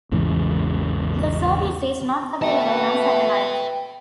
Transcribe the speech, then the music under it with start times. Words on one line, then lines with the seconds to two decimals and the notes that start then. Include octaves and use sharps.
The service is not available on satellite.
0.11 A1 E2 G#2 C#3
2.42 B2 B4 E5 G5 A5